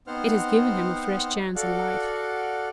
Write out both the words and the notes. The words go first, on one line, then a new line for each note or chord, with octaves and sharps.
"It has given him a fresh chance in life."
B3 C4 D#4 C5 F#5 F6
F#4 A4 D5 F5 F#5